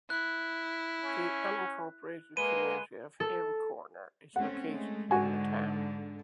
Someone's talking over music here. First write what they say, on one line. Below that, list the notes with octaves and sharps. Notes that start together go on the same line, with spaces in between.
The unincorporated community of Hale Corner is located in the town.
E4 F#6
C#4
G#3 A#3 B4 D#7 G7
A4
A3 C4 C#4 F#5
G#3 A3
G#2 D3 F#4 G#5